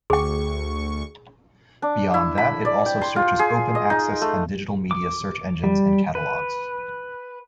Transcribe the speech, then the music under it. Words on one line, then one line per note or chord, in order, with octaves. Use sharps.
Beyond that it also searches open access and digital media search engines and catalogs.
D2 G#4 G5 C#6
D4
E4
B5
D5
G5
C6
F4
G#4
D#5
D#4
A3
D6
G3
B4